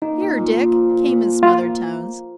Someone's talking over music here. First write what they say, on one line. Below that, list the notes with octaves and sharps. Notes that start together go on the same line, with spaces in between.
"Here, Dick," came in smothered tones.
A#3 D#4
A#2
A#2
F3
A#3
A#2
A#2
F3
A#3 F4
A#2